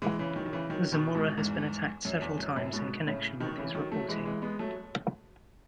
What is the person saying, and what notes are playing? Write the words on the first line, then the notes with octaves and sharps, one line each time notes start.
Zamora has been attacked several times in connection with his reporting.
E3 G#3
C#3 E3
D#3 F#3
D#3
C#3 E3
D#3 F#3
B2 D#3
G#2 B2
E2 G#2
F#2
E2
F#2
F#2 A2
G#2 B2
A2 C#3
B2 D#3
C#3 E3
D#3 F#3
F#3 A3
E3 G#3
E3 G#3
G#3 B3
F#3 A3